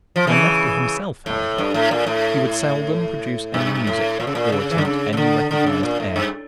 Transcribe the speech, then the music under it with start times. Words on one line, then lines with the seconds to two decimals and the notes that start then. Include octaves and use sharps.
When left to himself, however, he would seldom produce any music or attempt any recognized air.
0.16 F3
0.27 C#3 E3
1.26 A2
1.58 G2
1.74 A2
1.91 A#2
2.07 A2
3.54 G2
3.87 A2
4.20 A#2
4.27 C#3
4.35 A#2
4.52 C#3
4.71 E3
4.78 D3
4.85 C#3
5.13 C#3
5.17 D3
5.51 D3
5.66 C#3
5.83 A#2
6.00 A2
6.16 G2